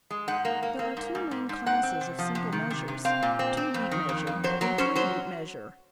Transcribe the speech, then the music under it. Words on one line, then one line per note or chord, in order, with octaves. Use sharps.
There are two main classes of simple measures, two-beat measure, and three-beat measure.
G#3
G#2 F#5
A#3
A#3
A#3
G#2
G#2
G#2
G#2
C4 F#5
C4
C3
F3
C3
D#3
C3
C3
C4 F5
A#2
C4
C4
F2
D#3
F2
F2
F#3 C5
F#3 A#4
C#4 C5
F#3 C5